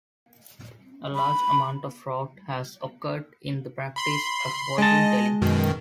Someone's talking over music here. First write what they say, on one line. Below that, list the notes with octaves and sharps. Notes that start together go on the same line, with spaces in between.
A large amount of fraud has occurred in the practice of fortune-telling.
B5
B5 C6 C7
G#3 D#5 A5
F#2 B2 D#3